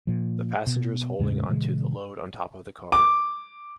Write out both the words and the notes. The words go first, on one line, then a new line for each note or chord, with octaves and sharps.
The passenger is holding onto the load on top of the car.
A#2 F3
B2
E2 A2 C#3 G#3
A#2 C#3 E3 G#3
D6